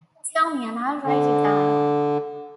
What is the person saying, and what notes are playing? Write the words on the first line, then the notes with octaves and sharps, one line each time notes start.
Tell me and I'll write it down.
D3